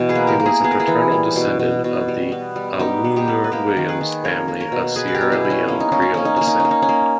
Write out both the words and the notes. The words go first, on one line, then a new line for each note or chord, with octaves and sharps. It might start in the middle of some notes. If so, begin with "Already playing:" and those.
He was a paternal descendant of the Awoonor-Williams family of Sierra Leone Creole descent.
Already playing: B2 E3
G#4 B4
A#3
G4 A#4
A#3
E4 G#4
B3 G#4
A#4
E4 G#4
E3
G3
B2
B2
B2
G3
B3
G3
B3 D#4 G4
B3
D#4 G4
B3
B4
A#3 G4 A#4
D#3
G#4 B4
D#3
A#3 A#4 C#5
A#3
A#4 C#5
B2
B2 G#4 B4
B4
G4 A#4
B2
E4 G#4
G3
C#4 E4
A#3 C#4
D#4
A#3 C#4
D#4
A#3 C#4
D#4
A#3 C#4
D#4
C#4
A#3
D#4
C#4
A#3